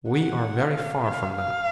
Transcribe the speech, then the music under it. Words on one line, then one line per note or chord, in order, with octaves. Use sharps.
We are very far from that.
F#5
F5
F5
F5